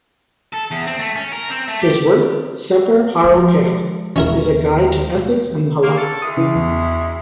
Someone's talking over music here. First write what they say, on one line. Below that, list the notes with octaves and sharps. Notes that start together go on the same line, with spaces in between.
His work, "Sefer HaRokeiach", is a guide to ethics and halacha.
A4
E2
C4
A3
C#4
A#4
C4
A3
G4
F3 G#3
D#2 B3 C#4 E4 A#4
F#3 A#3
A4
D2 G#3 E4 D#6
C#3 E3
E2